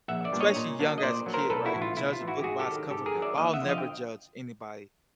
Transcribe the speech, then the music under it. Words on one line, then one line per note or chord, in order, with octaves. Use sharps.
especially young as a kid, right, judge a book by its cover, but I'll never judge anybody
A#1 E5 F#5
D5 E5
A#2 G3 B3 D4
C#5 D#5
A#2
F#3 A#3 D4
D#5
A#2 C5 D5
F#3 A#3 D4
A#4 C5
B1 A4 B4
E4 F#4
A2 E3
F4
B1 E4
F4
A2 E3
E4 F#4
G4
G#2 F#4 G#4
G4 A4
D#3 F#3
G#2 G4 A4
G#4 A#4
D#3 F#3
D5 E5
D#2 D#5 F5
E5 F#5
D3 F3
D#5 F5
G5